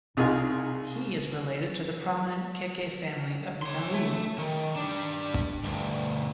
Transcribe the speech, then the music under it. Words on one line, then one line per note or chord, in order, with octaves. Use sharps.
He is related to the prominent Keke family of Nauru.
C2 C3 D#4 F4 G#4
C#5 C6
A3
D#3
G3 D4
D2 G2